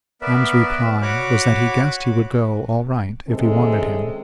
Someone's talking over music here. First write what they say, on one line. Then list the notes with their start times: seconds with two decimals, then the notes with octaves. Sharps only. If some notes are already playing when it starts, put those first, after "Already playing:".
Am's reply was that he guessed he would go all right if he wanted him.
0.21 B3 A#4 B4 D5 E5
1.02 F#4 C#5 B5 D6 F#6
3.28 C3 D#3 G#3 C4 C#4 A4